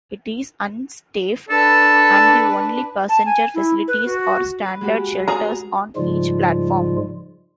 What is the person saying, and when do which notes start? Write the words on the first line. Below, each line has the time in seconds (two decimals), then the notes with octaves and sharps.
It is unstaffed, and the only passenger facilities are standard shelters on each platform.
1.49 D4 A4 B4
3.09 A5
3.25 G#5
3.54 E4
3.88 B4
4.05 F#4
4.62 B4
4.81 G#3 F#4 G4
5.28 G#4 A#5
5.96 G#2 C#3 F3 G3 G#3 F4